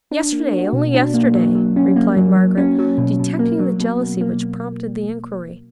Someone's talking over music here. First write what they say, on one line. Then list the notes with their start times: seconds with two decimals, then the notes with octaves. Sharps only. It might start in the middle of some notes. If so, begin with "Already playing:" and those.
'Yesterday, only yesterday,' replied Margaret, detecting the jealousy which prompted the inquiry.
0.11 D4
0.32 A#3
0.53 F#4
0.73 B2
0.94 D4
1.14 A#3
1.35 F#3
1.55 F#3
1.76 C#4
1.96 A#3
2.17 F#3
2.37 F#3
2.57 C#4
2.79 F#3
2.98 B2
3.19 B2
3.39 A#3
3.60 F#3
3.80 B2
4.01 B2
4.21 A#3